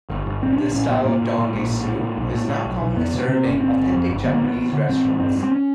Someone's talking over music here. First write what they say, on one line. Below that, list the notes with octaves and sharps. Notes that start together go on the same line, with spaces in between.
This style of "don-gaseu" is now commonly served in authentic Japanese restaurants.
G1
G1
A#1 C4
C#4
A#1 D4
A2 C#4
A2 B3
A2 A#3
A2
A2
A#1
A2
A2
A2
B1
A2
A2
B1
B1
F2 B3
C3
C3 C4
G1 C#4
G1 C4
G1
F2
G1
D3 B3
A#3
A1 B3
A1
D3
A1 C4
A1
G2 C4
G2
C4
C#4